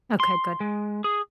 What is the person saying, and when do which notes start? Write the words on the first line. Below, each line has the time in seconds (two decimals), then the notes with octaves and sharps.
Okay, good.
0.20 C6
0.60 G#3
1.04 G#4